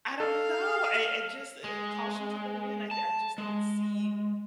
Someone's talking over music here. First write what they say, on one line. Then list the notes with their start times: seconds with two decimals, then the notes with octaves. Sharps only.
I don't know, I I just, eh, caution to the wind, I I just don't see
0.20 A4 F5
1.64 G#3
2.91 A5
3.38 G#3